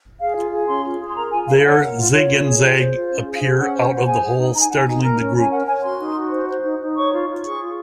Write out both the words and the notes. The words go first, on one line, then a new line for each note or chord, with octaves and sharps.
There, Zig and Zag appear out of the hole, startling the group.
G#4 F5
F4
G#4
C#4 C6
F4
G#4
C6
A#4 A#5
F4 G#5
A#4 F5
C#5 F#5
A#4
F4
F4 C#5
F4
G#4
F4
C5
F4
C#4
G#4
F5
C5
C#4 F#5
C5
C5
F#5
G#4 G#5
G#4
D#4
D#4 A#5
G#5
D#4 F#5
G#5
D#4
A#4 A#5
C#4
C#4 G#5
A#4 F#5
C#5 G#5
F#4 C6
D#4
F#4
C5
C5
D#4
D#4
C#5 C#6
F4
F4
G#4 C#6
F4